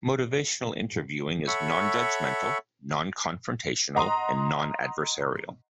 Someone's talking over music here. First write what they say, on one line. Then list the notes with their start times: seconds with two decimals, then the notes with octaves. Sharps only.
Motivational interviewing is non-judgmental, non-confrontational and non-adversarial.
1.47 A4 C#5 E5 F#5 B5 C#6
3.95 D#5 F#5 A#5 C6 D#6